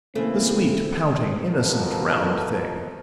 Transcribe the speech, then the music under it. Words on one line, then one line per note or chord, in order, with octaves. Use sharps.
The sweet, pouting, innocent, round thing!
C#3 E3 A3 A#3 C4
F2 B2 E3 F3 A4 A#4